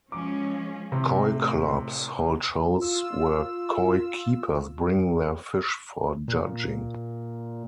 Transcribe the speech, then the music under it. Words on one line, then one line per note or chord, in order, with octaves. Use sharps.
Koi clubs hold shows where koi keepers bring their fish for judging.
F3 G#3 C#4 D6
A2 C3
F4 E6
A#2